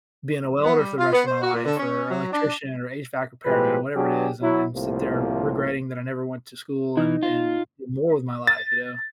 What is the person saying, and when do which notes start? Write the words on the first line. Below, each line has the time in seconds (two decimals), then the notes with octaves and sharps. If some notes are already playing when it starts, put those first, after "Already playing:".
being a welder for the rest of my life or electrician or HVAC repairman or whatever it is, and and sit there regretting that I never went to school and and, do more with my life, you know?
0.64 B3
0.77 G3
0.98 F4
1.12 B3
1.25 C5
1.41 F#4
1.53 A#2
1.65 D3
1.77 C#4
2.09 F#3
2.32 D4
3.45 A2 F3 G#3 G4 B4
3.95 F#3 D4 G4 G#4
4.42 F#3 E4
4.74 C2 A2 C3 F3 A3 A#3
6.97 E3 D#4
7.23 F4
8.47 A6